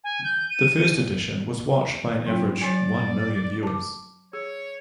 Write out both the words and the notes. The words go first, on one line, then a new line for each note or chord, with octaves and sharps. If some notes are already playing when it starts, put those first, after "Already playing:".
The first edition was watched by an average one million viewers.
G#5
G6
D#7
F#3 C#4 F4
F#3 D5 G#5
A5 D6
G#4 C#5